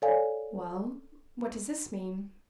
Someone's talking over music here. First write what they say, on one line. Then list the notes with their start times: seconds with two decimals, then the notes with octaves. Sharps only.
'Well? what does this mean?'
0.02 A4 C#5 D5 F5 G#5